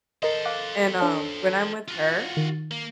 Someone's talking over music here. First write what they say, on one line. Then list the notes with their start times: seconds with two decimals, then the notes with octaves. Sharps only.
And, um, when I'm with her,
0.23 A4 A#4 C5 D#5
0.45 F5 D6 F#6
1.00 D4 C#5 A5
1.88 F4 F#4
2.37 D#3
2.71 A#3